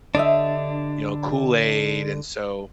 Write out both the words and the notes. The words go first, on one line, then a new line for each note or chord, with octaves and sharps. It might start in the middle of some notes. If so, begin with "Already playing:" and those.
you know, Kool-Aid, and so,
D3 D4 G4 D#5 E5